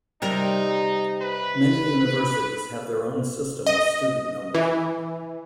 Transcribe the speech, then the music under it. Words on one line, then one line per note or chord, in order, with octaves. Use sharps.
Many universities have their own system of student numbering.
C3 G3 D#4 A#4
B4
D#5
E3